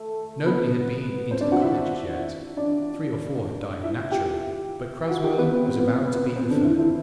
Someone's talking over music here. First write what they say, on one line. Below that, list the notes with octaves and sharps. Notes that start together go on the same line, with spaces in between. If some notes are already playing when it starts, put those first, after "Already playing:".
Nobody had been into the college as yet. Three or four had died naturally, but Crasweller was about to be the first.
Already playing: A3 A4
B3 B4
C4 C5
D4 D5
F#4 F#5
E4 E5
D4 D5
E4 E5
G4 G5
F#4 F#5
G4 G5
B3 B4
B3 B4
C4
B3
C4
B3
B3
C4
D3 D4
E3 E4
E3 E4